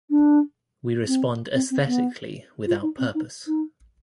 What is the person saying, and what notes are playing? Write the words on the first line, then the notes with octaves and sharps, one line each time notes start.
We respond aesthetically, without purpose.
D4
C4
C4
C4
B3
F4
D#4
C4
D#4
D#4